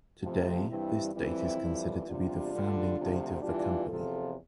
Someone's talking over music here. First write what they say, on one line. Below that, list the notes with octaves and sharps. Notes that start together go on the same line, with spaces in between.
Today, this date is considered to be the founding date of the company.
F2 C3 F3 A3 C4
G2 E3 G3 C4 E4
F2 E3 G3 C4 E4
F2 E3 G3
E2 C3 G3 D4 F4
D2 D3 G3
D2 C3 F3
E2 E3 G3 D4 F4
E2 C3 F3 F4 A4